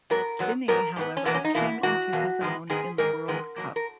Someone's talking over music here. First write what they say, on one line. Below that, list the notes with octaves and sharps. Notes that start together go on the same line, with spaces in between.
Binny however came into his own in the World Cup.
G#2 F#3 B3 A#4
G#2 F#3 B3
G#2 F#3 B3 A#4
G#2 F#3 B3
C#4
E2 B2 A#3 B3
C#4
D#4
E2 B2 A#3 E4
E2 B2 A#3 F#4
E2 B2 A#3
G#2 D#3 G#3 B3
G#2 D#3 G#3 B3 G#4
G#2 D#3 G#3 A#4
G#2 D#3 G#3 B3
B2 F#3 A#3
A#4